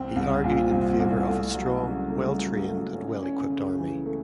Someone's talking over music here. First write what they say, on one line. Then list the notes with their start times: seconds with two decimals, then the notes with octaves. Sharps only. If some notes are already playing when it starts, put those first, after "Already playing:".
He argued in favour of a strong, well-trained and well-equipped army.
Already playing: C2 C4
0.16 C2
0.44 A#2
0.71 C2
0.99 C2
1.27 A3
1.54 F#3
1.83 C#3
2.10 A3
2.39 F#3
2.67 A3
2.94 C#4
3.23 C#4
3.50 C#3
3.78 E3
4.06 A3